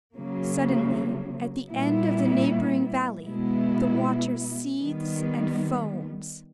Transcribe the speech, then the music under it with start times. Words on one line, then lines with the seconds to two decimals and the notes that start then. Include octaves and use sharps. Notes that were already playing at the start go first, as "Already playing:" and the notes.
Suddenly, at the end of the neighbouring valley, the water seethes and foams.
0.15 C#3 F#3 A#3
1.69 A#2 G3 B3 E4
3.25 B2 G#3 B3 E4
4.80 D#3 G3 B3